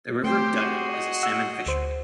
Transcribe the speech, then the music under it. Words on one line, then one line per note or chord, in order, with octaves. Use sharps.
The River Duddon is a salmon fishery.
A3 C4 G4 C5 G5
F#4 G#4
D#5
F#5 E6
D2 C5